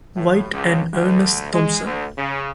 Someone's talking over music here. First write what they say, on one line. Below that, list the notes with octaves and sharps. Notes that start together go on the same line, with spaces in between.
White and Ernest Thompson.
A2
C#2
D2
G#3
D2
C#3